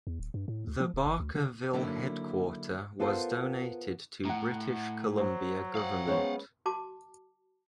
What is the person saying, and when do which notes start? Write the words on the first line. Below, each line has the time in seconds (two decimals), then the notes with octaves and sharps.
The Barkerville headquarter was donated to British Columbia government.
0.07 E2
0.20 D1
0.34 G2
0.48 A2
0.67 D2
0.80 F3
0.94 D1
1.06 G1
1.20 D2
1.35 C#3
1.73 D3 F#3 A#3 D#4 E4
3.00 B3 F4 A4 A#4 C5
4.25 A2 F#5 A#5
5.18 F#3 C5
5.75 F5 F#5
6.08 G#3 B3 C#4 C5 C#5
6.66 F#4 A5 D6